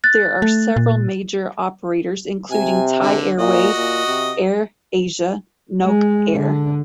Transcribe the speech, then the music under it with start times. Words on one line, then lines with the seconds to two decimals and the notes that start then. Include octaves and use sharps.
There are several major operators including Thai Airways, Air Asia, Nok Air.
0.04 F#6 A6
0.42 A3
0.76 A#2
2.51 C3 G#5
2.99 D3
3.39 A#2 F#4 D#5
3.77 A#2
4.07 C3
5.83 G#3
6.34 D3